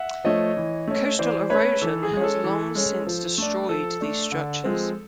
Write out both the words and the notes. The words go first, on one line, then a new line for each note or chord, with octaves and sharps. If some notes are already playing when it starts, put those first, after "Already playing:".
Coastal erosion has long since destroyed these structures.
Already playing: E5 F#5
F3 A3 C#5 D#5
E3
A3 C#4
E3 C5 D5
A3 C#4 B4 C#5
E3 A4
G#4
G#3 C#4
A4
E3
G#3 C#4
F3
A3 D4
F3 A4
A3 D4
D3
F3 G#3 C4